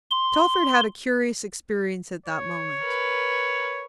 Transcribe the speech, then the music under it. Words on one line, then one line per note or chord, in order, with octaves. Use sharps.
Telford had a curious experience at that moment.
C6
C#5
A#4 B4